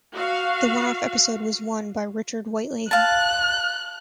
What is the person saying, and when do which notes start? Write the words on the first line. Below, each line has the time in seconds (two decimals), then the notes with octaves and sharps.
The one-off episode was won by Richard Whiteley.
0.14 F#4 F5
2.91 F5 A5 F#6